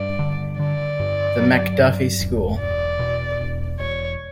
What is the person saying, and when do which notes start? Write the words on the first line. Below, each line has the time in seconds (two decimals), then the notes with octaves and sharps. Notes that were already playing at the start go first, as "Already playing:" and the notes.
The MacDuffie School.
Already playing: G2 D5
0.19 D3
0.59 D3 D5
1.00 G2
1.39 F#3
1.79 G2
2.19 E1
2.59 E1 D5
2.99 B2
3.39 E1
3.79 E1 C#5